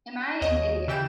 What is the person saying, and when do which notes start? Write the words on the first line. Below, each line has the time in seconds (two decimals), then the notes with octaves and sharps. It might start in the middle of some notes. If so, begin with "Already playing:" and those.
Am I an idiot?
0.41 D#2 C#5 D#5
0.88 C#3 E3 G4 G5 G6 E7